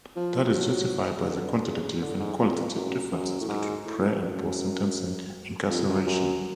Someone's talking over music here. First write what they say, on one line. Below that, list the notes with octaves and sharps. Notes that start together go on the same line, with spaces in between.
That is justified by the quantitative and qualitative differences between pre-and post-sentencing incarceration.
F3
F3
F#3
C#3
D3
C#3
D3
G#2
F2
F#2
F#2
A2
G#2
A2
F#2
F2
F#2
F#2